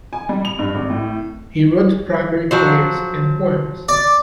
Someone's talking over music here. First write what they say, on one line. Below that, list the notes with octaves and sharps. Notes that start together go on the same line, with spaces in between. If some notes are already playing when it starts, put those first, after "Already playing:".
He wrote primarily prayers and poems.
G#5
G3
F7
G2
G#1
A2
F3 F#3 C5
D5